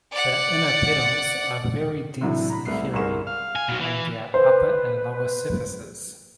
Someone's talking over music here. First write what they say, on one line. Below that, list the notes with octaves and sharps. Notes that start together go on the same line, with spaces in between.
The inner petals are very densely hairy on their upper and lower surfaces.
D5 F#5
A2 C3 E3 F#3 A3 D4
A#5 B5
C2 A3 B3 C7
G1 C2 G#4 A#4 C#6 E7
F5
G#5
B2 F#3
E3
B4 C5